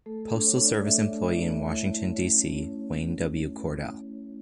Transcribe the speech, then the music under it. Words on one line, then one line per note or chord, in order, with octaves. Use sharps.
Postal Service employee in Washington D. C., Wayne W. Cordell.
A3 A4
A4
D4
C#5
D4
D5
A3 E5
A3
D5
A3
E4 C#5
E4
C#5
C#4